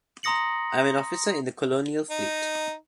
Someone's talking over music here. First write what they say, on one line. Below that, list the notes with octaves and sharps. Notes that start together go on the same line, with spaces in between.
I'm an officer in the Colonial Fleet.
A#5 C6 D#6 A#6 C#7 F#7
D#4